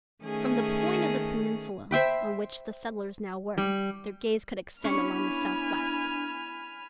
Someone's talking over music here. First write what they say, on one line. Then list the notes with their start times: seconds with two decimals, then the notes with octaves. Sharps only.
From the point of the peninsula on which the settlers now were their gaze could extend along the southwest.
0.24 D#3 A3 C#4 G#4
1.91 C5 E5 G5 B5
3.58 G3
4.84 B3 C#4 D4 E4 C#5 G#5 B5 F6